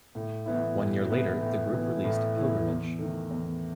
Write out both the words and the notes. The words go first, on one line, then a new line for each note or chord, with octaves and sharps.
One year later, the group released "Pilgrimage".
A2
E3 B3 E4
A2
E3 B3 E4
A2
E3 B3 E4
A2
E3 B3 E4
E2
D#3 A3
E2